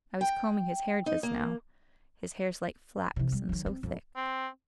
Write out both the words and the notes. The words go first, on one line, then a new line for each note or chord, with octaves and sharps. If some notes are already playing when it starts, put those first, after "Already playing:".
"I was combing his hair just now; his hair's like flax, and so thick...."
G5
D#4
A#3
C3 E3
G3
D#3 F#3
C4
F2
C4